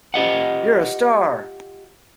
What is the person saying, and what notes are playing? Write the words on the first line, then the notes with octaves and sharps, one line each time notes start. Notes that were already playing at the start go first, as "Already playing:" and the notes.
You're a Star!.
F4 G4 D#5 F#5